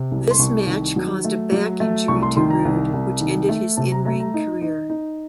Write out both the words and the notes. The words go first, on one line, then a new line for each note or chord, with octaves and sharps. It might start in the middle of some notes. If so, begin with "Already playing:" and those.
This match caused a back injury to Rude, which ended his in-ring career.
Already playing: C3
C2
C6
C2 C#6
D#3
F#3
A3
F#3
A3
C2 C#6
C6
D#3 C6
A#5
C2
C2
D#3
A3
C3 A5
A#5
A3 A#5
A#5
D#4
D#4
D#4